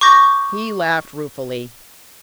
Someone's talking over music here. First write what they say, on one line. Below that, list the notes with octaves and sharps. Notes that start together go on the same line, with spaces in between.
He laughed ruefully.
C#6 D6 G6 A#6